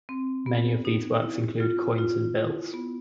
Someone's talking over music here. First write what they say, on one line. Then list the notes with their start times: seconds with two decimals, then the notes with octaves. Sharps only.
Many of these works include coins and bills.
0.09 C4
0.46 B3
0.85 D#4
1.22 E4
1.60 F4
1.98 F4
2.35 E4
2.74 B3